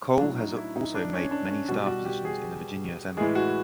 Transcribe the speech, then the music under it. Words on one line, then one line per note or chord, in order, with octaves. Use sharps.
Cole has also had many staff positions in the Virginia Assembly.
A2 F#3 D4
D#4
E4
D#4
D4
C#4
D4
C#4
B2 G3 F#4
F#4
G4
G#4
A2 E3 G#3 G#4
F#4